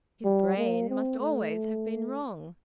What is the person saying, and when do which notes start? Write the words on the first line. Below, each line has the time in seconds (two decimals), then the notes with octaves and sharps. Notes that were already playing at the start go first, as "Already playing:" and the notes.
His brain must always have been wrong!
0.24 G3
0.57 A#3
0.89 C4
1.20 A3